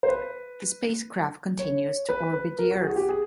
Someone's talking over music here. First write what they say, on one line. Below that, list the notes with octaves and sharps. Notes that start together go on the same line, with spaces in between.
The spacecraft continues to orbit the Earth.
C5
B4
C#5
B4
B4
A#4
F#4
G#4
F#4
G4
G#4